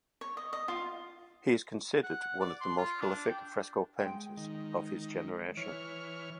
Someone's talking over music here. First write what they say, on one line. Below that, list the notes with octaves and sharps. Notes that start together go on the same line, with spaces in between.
He is considered one of the most prolific fresco painters of his generation.
C#5
D#5
D#5
F4
F#5
F#5
D5
C6
F4
D4
G5
G#3 G5
D#3
E3 C#5 F6